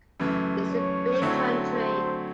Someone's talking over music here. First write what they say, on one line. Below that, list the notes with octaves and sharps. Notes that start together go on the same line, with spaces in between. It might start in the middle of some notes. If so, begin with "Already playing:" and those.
It's a big country.
F#2 C#3 E3 A3
C#5
D3 F#3 A3 C4 E4
C5